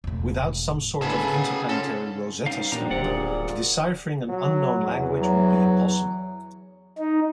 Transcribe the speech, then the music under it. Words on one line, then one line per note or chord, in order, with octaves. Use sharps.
Without some sort of interplanetary Rosetta stone, deciphering an unknown language would be impossible.
E1 A2
A2 D3 A3 B3 G#4 A5
C#3
C#4 F4 A4
G3 B3 C#4 D#4 F5
A#2 G3 D4 D#4 A#5
D1 C3 D5 F#5
A#2 G#4
F#3
E2
F#3
D#4